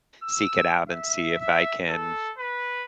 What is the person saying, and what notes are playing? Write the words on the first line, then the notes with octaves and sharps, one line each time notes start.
seek it out and see if I can
E6
E5
E5
A4
B4